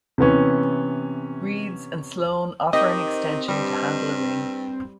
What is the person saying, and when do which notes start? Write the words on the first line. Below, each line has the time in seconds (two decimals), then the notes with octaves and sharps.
Reeds and Sloane offer an extension to handle a ring.
0.18 C3 E3 B3 C#4
2.73 D#3 C4 G4 D#5
3.48 G2 G3